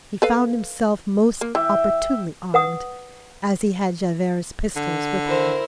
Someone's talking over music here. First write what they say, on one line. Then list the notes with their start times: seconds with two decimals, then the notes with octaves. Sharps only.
He found himself most opportunely armed, as he had Javert's pistols with him.
0.22 A4 B4 F5
1.41 A#3
1.55 E3 E5 G5
2.54 B4 F#5 D#6
4.76 D3
5.25 E4 A#4 C5